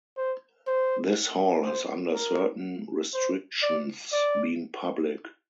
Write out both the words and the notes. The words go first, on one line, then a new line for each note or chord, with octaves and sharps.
This hall has under certain restrictions been public.
C5
C5
C5
A#4
C5
D5
D5